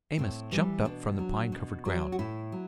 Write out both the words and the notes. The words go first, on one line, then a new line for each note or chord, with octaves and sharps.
Amos jumped up from the pine-covered ground.
A2 C4
E3 G3
B2 D4
F#3
B2
F#3
F#4
A2 E4
F#3